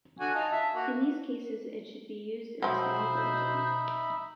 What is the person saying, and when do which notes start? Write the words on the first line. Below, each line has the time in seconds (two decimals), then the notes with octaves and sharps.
In these cases it should be used in small doses.
0.19 D3 F#4 G#5
0.34 D#4 F4 A5
0.52 F4 E5 A5
0.74 A#3 F#4
2.62 B2 F3 F#3 D#4 C5 E5 B5